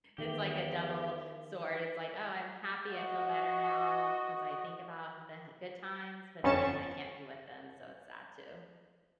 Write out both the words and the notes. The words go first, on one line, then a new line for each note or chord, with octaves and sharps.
it's like a double sword. It's like, oh, I'm happy, I feel better now, 'cause I think about how the ha good times, but then I can't be with them, so it's sad too.
E2 D#3 E4 G4
F#4 D#5
G1 F2 C#4 A6 C#7 E7